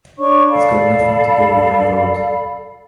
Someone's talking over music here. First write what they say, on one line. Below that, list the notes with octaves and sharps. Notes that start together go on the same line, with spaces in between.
It's got nothing to do with my vote.
D4 C#5 C#6
A4 D5 F5 B5